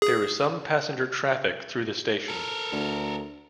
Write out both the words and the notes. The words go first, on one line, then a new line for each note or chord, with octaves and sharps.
There is some passenger traffic through the station.
G#4
A4 A#4
D2